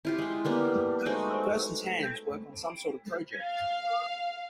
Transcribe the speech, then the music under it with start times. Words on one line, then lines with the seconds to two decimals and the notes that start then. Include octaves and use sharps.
A person 's hands work on some sort of project.
0.05 E4 F4 G4
0.18 G#3 G5
0.45 G3 A#3 B3 G4
1.06 G#3 A3 D#4 F#4
3.43 F5